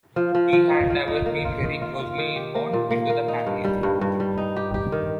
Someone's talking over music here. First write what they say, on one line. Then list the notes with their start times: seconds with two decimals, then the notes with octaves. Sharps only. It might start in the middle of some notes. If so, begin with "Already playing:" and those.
He had never been very closely inbound into the family.
0.16 F3
0.35 F3
0.53 F3
0.71 D#4
0.90 F3
1.08 D#4
1.26 A#3
1.45 F4
1.63 D#3
1.82 F4
1.99 F4
2.18 D#3
2.36 G4
2.55 A#3
2.73 A#2
2.91 A#3
3.10 A#3
3.28 D#4
3.47 G2
3.64 G3
3.83 G2
4.01 G2
4.20 G3
4.38 D#4
4.56 G4
4.74 G4
4.92 D#3